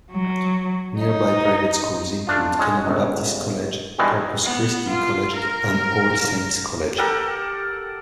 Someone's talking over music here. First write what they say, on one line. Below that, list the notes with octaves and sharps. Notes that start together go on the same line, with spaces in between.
Nearby private schools include Kennedy Baptist College, Corpus Christi College and All Saints' College.
F#3
D#4
A3 D4 F4
G#3 C#4 F#5
G1 C#2
G2 B2 D#3 E3 G3 G#3
B3
F4
A#4
G4 A4 A#4 F#5